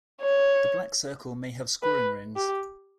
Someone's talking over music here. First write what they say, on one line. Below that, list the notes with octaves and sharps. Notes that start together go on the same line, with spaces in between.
The black circle may have scoring rings.
C#5
B4
G4